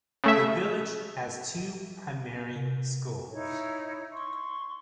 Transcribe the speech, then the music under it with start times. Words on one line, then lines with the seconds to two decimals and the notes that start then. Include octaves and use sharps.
The village has two primary schools.
0.24 C#3 A3 E5
2.56 C3
3.30 D#4 E4 C#5
4.13 C6 C#6